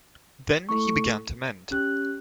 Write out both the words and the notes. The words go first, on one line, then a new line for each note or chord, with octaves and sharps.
Then he began to mend.
A3 E4 A4 C#6
C#4 G4 F#6